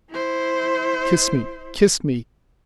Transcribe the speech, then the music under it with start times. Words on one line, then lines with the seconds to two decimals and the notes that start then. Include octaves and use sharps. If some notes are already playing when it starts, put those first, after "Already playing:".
Kiss me, kiss me!
0.10 E4 C5